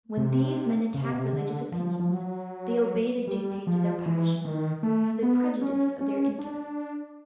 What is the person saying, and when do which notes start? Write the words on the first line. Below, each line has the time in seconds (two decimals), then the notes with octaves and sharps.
When these men attack religious opinions, they obey the dictates of their passions to the prejudice of their interests.
0.17 C3
0.94 C#3
1.02 C3
1.11 B2
1.18 C3
1.33 D3
1.72 F3
2.00 F3
2.11 F#3
3.27 G3
3.67 F3
4.06 E3
4.45 D#3
4.83 A3
5.23 B3
5.61 C#4
6.01 C#4
6.39 D4